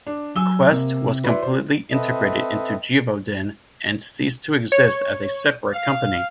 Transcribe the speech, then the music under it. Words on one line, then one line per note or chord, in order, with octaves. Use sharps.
Quest was completely integrated into Givaudan and ceased to exist as a separate company.
D4
F#3 G#5 E6 G7
C3 A#3
E4 F#4 B4 D5 C6
C5
C4 A4 B4 D#5 E5
C#5
F5